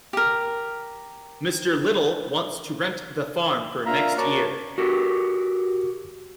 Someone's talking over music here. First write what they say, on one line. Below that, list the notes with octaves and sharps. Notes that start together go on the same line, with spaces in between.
Mr. Little wants to rent the farm for next year.
G4 A#4
A#3 D4 F4 E5 F5 A#5
F#4 A#4 C#5 D5 A5 A#5
F#4 G4 A#4